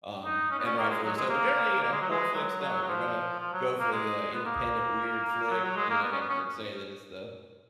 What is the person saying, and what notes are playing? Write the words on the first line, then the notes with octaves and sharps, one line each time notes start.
um, and rightfully so, but generally, you know, horror flicks don't. They're gonna go for the independent weird flick, you know, and and say that it's the
D#4
C#4
B3
C#4
A#3
G#3
F#3
G#3
A#3
A#3
G#3
F#3
G#3
F#3
F#3
F#3
F3
F3
F#3
A#3
G#3
B3
A#3
F#3
F#3
G#3
A#3
B3
C#4
B3
C#4